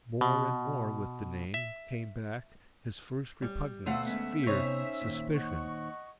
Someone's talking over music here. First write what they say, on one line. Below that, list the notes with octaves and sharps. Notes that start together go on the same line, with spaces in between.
More and more, with the name, came back--his first repugnance, fear, suspicion.
B2
E5
G3
D2 B2 A3 F4 F5 F#5 C6 E6
G#3 B3 C#4 E5
C3 B3 D#4 C5 C#5
D#2 A#2
D#5 F#5 C#6